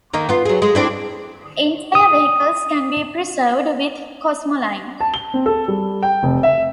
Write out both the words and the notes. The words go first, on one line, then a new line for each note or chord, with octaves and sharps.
Entire vehicles can be preserved with cosmoline.
D#3 A#3 D#4
B3 F4
F#3 G#4
G#3
C4 D4 E4
D#6
A5
G7
C4
A4
G3
G5
F1
E5